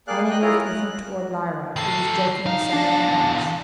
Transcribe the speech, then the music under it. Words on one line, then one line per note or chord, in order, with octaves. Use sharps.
Annie moved with him toward Lyra, who was joking with some of the hands.
A#3 G#4 D5 F5 F#6
D#5 G5 F#6
E4 F4 G#4 A#4 C#5 A#5
F#6
D#3 A4 C7
E2 D#4 F5
D4 A5 A#6